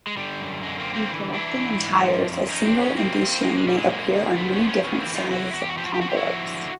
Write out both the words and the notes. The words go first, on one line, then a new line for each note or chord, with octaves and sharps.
In collecting entires, a single indicium may appear on many different sizes of envelopes.
G#3
D3 G3
F#2
D3 G#3
A#3 C4
D3
A#3 C4
E3
E3 D4 E4
E3
G#2
F3
F2
F2 C#4 D#4
C4 D4
F2
B3 C#4
F3 A#3 C4
F3
A#2 G#3 A#3
G#3
A#2 G3
G#3
F#2 G#3 A#3
D3
F3 A3 B3
B3 C#4
F3 D4
B3 C#4
E2 B3 C#4
A#3 C4
E3
D#4 F4
C3 E4 F#4
E2 F#4
G4
F#4
F3 G4
F#4
G4
F3 F#4
G4
E4 F#4
F3
D3